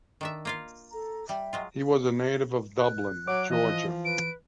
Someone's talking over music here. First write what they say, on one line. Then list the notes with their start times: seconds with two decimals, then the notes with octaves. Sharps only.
He was a native of Dublin, Georgia.
0.21 D#3 D4 E5
0.45 A#3 F4 F5
0.91 A4 A#5
1.29 G3 E5 G5
1.53 F#3 G#3 F4
2.78 F#6
3.27 F#3 C#5 D6 D7
3.50 E3 F3 D#5
4.05 B4 D7